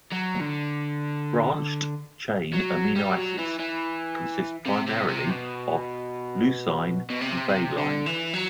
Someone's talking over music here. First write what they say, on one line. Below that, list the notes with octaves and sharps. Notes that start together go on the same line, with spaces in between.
Branched-chain amino acids consist primarily of leucine and valine.
F#3
D3
F#3
G3
F#3
E3
E3
C3
C3
C3
B2
B2
C3
C3
D3
E3
F#3